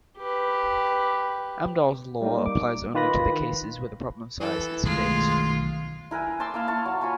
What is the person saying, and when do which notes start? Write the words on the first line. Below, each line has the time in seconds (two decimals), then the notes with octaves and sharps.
Amdahl's law applies only to the cases where the problem size is fixed.
0.17 G4 B4
2.21 G3 A#3 D#4
2.46 D6
2.94 D#3 F4 B4 B5 A#6
4.40 E3 A4
4.85 B1 D#3 G#3 A3 F4
6.11 E4 A#4 B4 G#5
6.40 A5 C6 D6 E6
6.54 A#3 E4 F5
6.68 F5 A5 C#6
6.85 F#3
7.01 F4 C#5 G#5 B5